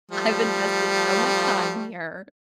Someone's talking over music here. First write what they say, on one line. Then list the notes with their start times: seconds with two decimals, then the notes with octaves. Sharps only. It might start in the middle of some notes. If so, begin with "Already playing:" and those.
I've invested so much time here.
0.12 F3 G3 A3